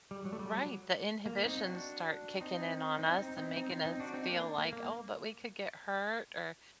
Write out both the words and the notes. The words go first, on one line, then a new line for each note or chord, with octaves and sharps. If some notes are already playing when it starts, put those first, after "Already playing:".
Right, the inhibitions start kicking in on us, and making us feel like, "Oh, but we could get hurt, or"
G3
F#3
A3
G3
F#3
A#3
C4 D#4
D4 F#4
C4 D#4
C4 D#4
C4 D#4
C4 D#4
C4 D#4
C4 D#4
C4 D#4
D4 F#4
C4 D#4
A#3 D4
A#3
A#3